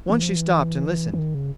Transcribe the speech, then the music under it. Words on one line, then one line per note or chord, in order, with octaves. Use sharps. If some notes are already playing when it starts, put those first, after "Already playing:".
Once she stopped and listened.
E3
F3
E3
E3
D#3
C#3